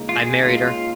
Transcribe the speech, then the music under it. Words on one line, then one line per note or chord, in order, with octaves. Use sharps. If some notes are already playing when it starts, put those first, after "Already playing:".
I married her.
Already playing: C#2 C#3 A#3 D#4
F4
G#4
C#2 C#3 A#3 D#4 F4
F4